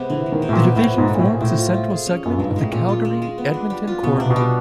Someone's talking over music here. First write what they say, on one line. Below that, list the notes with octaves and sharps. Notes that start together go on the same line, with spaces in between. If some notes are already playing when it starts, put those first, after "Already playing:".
The division forms the central segment of the Calgary-Edmonton Corridor.
Already playing: C3 G#3 B3
D3 E3
G#3
D#3
C3
A2
A#2
B3
A2 C4
F4
G#2
A3
A#2
A2
G#4
A#2
A2 C4
F4
A3
G#4
C#4
F#2 F4
G2 G#3
G#2
A2 G#3
A#2 C#4
F4
G#3
G#3
B3
D4
G3
F4
B2 B3
C3 D4
B2
G3